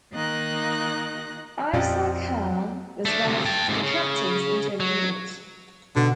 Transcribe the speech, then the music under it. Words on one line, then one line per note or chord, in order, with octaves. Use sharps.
Issa Khan was one of the captives interviewed.
D#3 A#3 D#4 D#5 F#6 A#6
F2 A#2 C4 C#4 G4 D5 D#5
A3 D4
D2 C3
G5 A5
G#2 C3
C#3
F#3
B2 D3